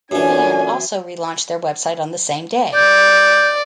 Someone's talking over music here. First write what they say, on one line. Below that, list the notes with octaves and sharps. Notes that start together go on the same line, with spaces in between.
The band also relaunched their website on the same day.
F#2 A#2 D3 E3 C#4 D4 C#5 G#5
D5 G6